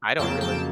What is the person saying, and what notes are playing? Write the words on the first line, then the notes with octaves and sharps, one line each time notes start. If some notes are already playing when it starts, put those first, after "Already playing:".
I don't really.
F2 C#3 F#3 A#3 G5 A5
G5 A5